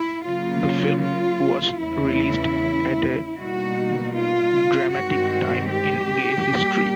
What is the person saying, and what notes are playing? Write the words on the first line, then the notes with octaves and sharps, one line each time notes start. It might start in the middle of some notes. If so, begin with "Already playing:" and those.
The film was released at a dramatic time in gay history.
Already playing: E4
C#3 F#3 A#3 F4
F4
E2 C#3 E3 A3 C#4 E4
B2 G3 A#3 D#4 F#4
F4
G2 D#3 G#3 C4 F#4
G4
A#2 G3 A#3